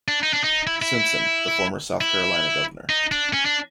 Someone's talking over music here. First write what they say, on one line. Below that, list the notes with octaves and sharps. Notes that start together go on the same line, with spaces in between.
Simpson, the former South Carolina Governor.
D4
D#4
D4
D#4
E4
E4
E4
D#4
D4
C#4
D4